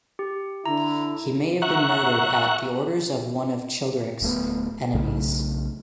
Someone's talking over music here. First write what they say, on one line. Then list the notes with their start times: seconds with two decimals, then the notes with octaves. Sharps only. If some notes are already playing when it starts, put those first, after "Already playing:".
He may have been murdered at the orders of one of Childeric's enemies.
0.19 G4
0.66 D3 E4 A#5
1.62 E5 F#5 A#5 C#6 F#6
4.22 D1 A3 B3
4.94 B1 C#3 A3